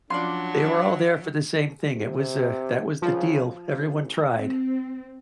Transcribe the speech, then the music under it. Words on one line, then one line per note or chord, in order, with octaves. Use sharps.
they were all there for the same thing. It was, uh, that was the deal. Everyone tried.
F3 F#3 C#4 D4 F4 D5 C6
C3
C#2 F3
A1
C4